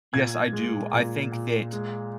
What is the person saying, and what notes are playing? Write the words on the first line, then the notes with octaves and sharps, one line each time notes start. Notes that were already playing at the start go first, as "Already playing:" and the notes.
yes, I do. I think that
A#2 G#6
G#3
A#2
A#2
G#3